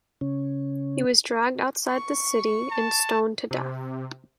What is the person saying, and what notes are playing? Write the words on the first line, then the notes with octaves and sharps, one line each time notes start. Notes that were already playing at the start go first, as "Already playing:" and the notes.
He was dragged outside the city and stoned to death.
C#3 C#4
C#6
A5
C3